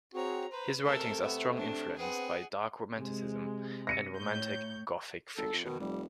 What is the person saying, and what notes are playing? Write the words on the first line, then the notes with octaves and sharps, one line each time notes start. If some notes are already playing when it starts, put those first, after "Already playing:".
His writings are strong influenced by Dark Romanticism and Romantic gothic fiction.
C4 F#4 G#4 C#5 A#5
B4 C5 A#5
C3 A3 A4 A#4
B3 E5
D4
B3 C4 G#4 F#5
C3 G#3
A#6 C#7 D#7
A2 C#5 G6
G#1 A4
F2
B2 D#3
F1 G3